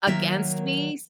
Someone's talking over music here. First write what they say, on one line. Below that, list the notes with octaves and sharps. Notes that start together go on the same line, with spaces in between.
against me s
D#3 F#3 A#3 A#4 E5